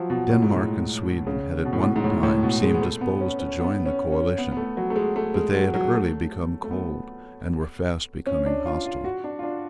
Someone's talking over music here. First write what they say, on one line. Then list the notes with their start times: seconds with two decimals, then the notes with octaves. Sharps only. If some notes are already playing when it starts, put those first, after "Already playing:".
Denmark and Sweden had at one time seemed disposed to join the coalition; but they had early become cold, and were fast becoming hostile.
Already playing: F3 F#3
0.10 B2
0.29 A2
0.42 G#2
0.57 A2
1.27 C#3
1.65 B2
1.73 A2
1.82 B2
1.96 G#2
2.04 A2
2.23 A2
2.43 B2
2.62 G#3
2.74 B3
2.82 A3
3.01 B3
3.21 C#4
3.40 C#4
3.60 B3
3.86 C#4
4.12 C#4
4.38 B3
4.52 B3
4.57 A3
4.77 F#3
4.90 A3
4.96 G#3
5.16 A3
5.34 G#3
5.55 F#3
5.74 F#3
5.94 A3
6.64 A3
6.71 B3
8.26 C#4
8.46 D4
8.66 F4
8.86 F4
9.04 F#4
9.24 D4
9.39 F4
9.43 D4